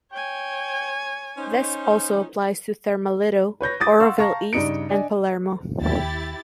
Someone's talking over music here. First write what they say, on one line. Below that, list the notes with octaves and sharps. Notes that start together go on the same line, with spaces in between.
This also applies to Thermalito, Oroville East, and Palermo.
C#5 G5 G#5
C#4 D#4 C5
B4 C#5 G6 A#6
D6 D#6 A6
F5 F#5 C6 C#6 E6
F5 A5 A#5 C#6 A#6
G2 C#3 D4 D#4 C#7 D7
D4 D5 D#5 G#5
D#2 E4 G4 A6